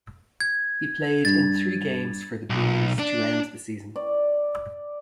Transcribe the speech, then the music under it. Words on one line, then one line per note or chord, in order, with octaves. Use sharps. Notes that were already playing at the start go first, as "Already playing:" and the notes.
He played in three games for the Brewers to end the season.
G#6
G2 A6
B1
D4
D5